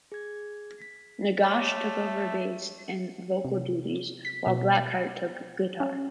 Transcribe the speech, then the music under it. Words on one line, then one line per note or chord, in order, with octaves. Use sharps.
Nagash took over bass and vocal duties while Blackheart took guitar.
G#4 G#6
B6
A3 C#5 D6
E5
C3
B6
B2
C#4